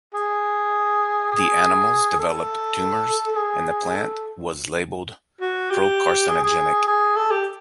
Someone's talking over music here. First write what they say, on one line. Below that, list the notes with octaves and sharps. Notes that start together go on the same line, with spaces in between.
The animals developed tumors, and the plant was labeled procarcinogenic.
G#4
G#4
A4
G#4
A4
F#4
G4
G#4
G#4
G#4
A4
G4